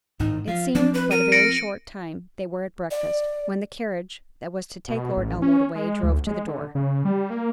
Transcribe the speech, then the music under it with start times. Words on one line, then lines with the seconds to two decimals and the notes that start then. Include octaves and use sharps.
It seemed but a very short time they were at breakfast, when the carriage, that was to take Lord Elmwood away, drove to the door.
0.20 G#1 A2 D#4
0.47 F3 F5
0.75 F3 C4 D4
0.94 B4
1.11 A#4 D#7
1.32 A#6 C#7 D7
2.91 D5
4.88 B2
5.17 A1
5.42 C#4
5.75 G#3
6.03 D2
6.27 G#3
6.47 D3
6.75 C#3
7.05 G3
7.30 A#3